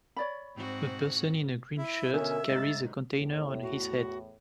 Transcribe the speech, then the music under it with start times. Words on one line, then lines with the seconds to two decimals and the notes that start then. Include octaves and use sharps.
A person in a green shirt carries a container on his head.
0.16 C#5 D5 B5
0.56 G#2 C4 F#4
1.78 E4
2.13 B2 D3 C#4 A#4 E5 G#5
2.49 G1 G#2 D#4 A6
3.17 E2 A2
3.62 F#4